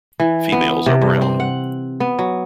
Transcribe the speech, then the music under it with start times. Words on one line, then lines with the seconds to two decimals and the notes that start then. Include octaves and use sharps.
Females are brown.
0.20 E3
0.52 B3
0.86 C3
1.01 G2
1.22 C4
1.40 F#5
2.00 B3
2.19 F#3